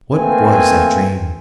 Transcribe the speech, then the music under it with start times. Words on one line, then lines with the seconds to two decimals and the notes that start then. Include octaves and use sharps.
What was that dream?
0.13 A3 A#3 C4 B4 G#5